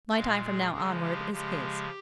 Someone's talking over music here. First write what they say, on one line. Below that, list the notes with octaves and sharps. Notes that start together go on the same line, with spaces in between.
My time from now onward is his.
A#2 G#3 F5
G#4
C#3 F3 G#3 G#4
G4
C#3 F3 G#3 G4